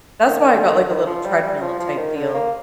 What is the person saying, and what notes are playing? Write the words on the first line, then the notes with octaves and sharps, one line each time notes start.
that's why I got, like, a little treadmill type deal.
D#3
D3
D#3
D3
D#3
F3
G3
G3
F3
F3
D#3
D3
A#3